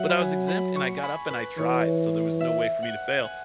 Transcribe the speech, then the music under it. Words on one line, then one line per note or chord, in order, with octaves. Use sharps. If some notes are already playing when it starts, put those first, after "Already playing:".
but I was exempt, and I got up and I tried, so, there was no way for me to fail.
Already playing: F#3 E5 F#5
B5
G#5
B5
C#6
G#5
B5
B4
E3 C#5
E5
F#5
F#5
G#5